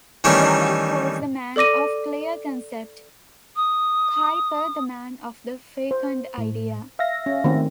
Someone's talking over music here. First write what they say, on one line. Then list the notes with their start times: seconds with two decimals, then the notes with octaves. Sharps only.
Bavinck was the man of clear concept, Kuyper the man of the fecund idea.
0.24 D#3 E3 G3 A3 C#4
1.56 A4 D5 D6 A#6 D#7
3.56 D#6
5.91 C5
6.38 A2
6.99 E5 F5 A#6
7.26 C#4
7.44 D#3 A3 C4